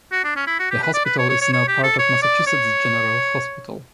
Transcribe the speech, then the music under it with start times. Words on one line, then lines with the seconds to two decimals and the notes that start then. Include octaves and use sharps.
The hospital is now part of Massachusetts General Hospital.
0.12 F#4
0.24 D4
0.36 C#4
0.46 E4
0.59 F#4
0.70 G4
0.82 B4
0.94 D5
1.05 B4
1.18 C#5
1.29 C#5
1.41 C#5
1.53 C#5
1.68 G4
1.83 A4
1.99 C#5
2.22 D5
2.47 C#5